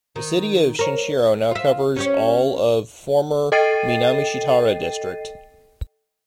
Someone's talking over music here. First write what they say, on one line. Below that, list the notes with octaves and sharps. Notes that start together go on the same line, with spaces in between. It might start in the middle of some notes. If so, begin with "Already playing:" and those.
The city of Shinshiro now covers all of former Minamishitara District.
D#3
A#4 C#5
F4 E5
C#4 G4 C#5
A4 D#5 G5 A6 C7 D#7